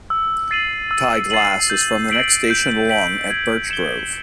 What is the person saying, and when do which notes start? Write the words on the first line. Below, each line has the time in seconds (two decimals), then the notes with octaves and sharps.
Ty Glas is from the next station along at Birchgrove.
0.10 E6
0.51 A6 C7 D#7 F#7
0.91 E6
1.30 A6 C7 D#7 F#7
1.70 G6
2.10 B6 D7 F#7
2.50 G6
2.90 B6 D7 F#7
3.30 G#6
3.70 C#7 E7 G7